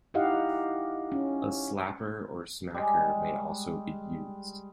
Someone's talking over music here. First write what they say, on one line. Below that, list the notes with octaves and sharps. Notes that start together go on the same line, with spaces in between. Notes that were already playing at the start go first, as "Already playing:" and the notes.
A slapper or smacker may also be used.
D#4 E4 G4 D#5 F5 F#5
C#4
G3 G#3